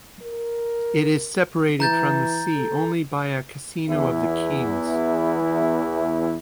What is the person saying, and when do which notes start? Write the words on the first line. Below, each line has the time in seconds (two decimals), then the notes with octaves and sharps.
It is separated from the sea only by a casino of the king's.
0.22 A#4
1.80 E3 A#5 G6 A6
2.57 A4
3.89 E2 E4